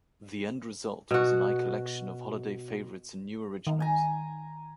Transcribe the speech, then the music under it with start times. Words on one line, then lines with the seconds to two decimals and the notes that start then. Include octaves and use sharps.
The end result was a lcollection of holiday favorites and new originals.
1.11 B2 F#4
3.67 D#3
3.80 G#5 A#5